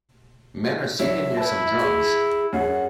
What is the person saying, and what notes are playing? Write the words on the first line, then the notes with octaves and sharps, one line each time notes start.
Men are seated near some drums.
F#3 D4 E4 E5
E4 B4 A5
G#4
F#2 G#4 F#5